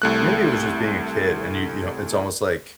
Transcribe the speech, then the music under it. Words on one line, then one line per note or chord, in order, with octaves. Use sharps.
Maybe it was just being a kid, and you you know, it's almost, like,
C2 A3 F#6